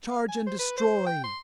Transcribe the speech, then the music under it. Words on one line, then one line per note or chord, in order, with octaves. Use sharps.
Charge and destroy!
F5
G#5
C5
B4
C5
G5
C6